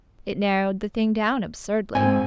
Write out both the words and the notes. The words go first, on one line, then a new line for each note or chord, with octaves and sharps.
It narrowed the thing down absurdly.
G#2 C4 G#5